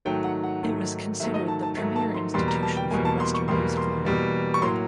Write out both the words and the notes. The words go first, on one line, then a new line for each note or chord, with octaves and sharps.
It was considered the premiere institution for western music learning.
G#2 D#3 F#3 A3 G5
F#5
F#5
G#2 D#3 F#3 A3
G#2 D#3 F#3 A3 E5
D#5
A5
A5
G#2 D#3 F#3 A3
A5
C6
E2 B2 G3 A#3 C6
A#5
A5
G5
E2 B2 G3 A#3 G#5
A5
C6
C#6
E2 B2 G3 A#3 C6
C6
E2 B2 G3 A#3
C#6
A2 F#3 A#3 C6